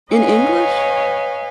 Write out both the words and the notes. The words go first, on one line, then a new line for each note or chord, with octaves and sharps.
in English?
B4 C#5 D#5 F5 G#5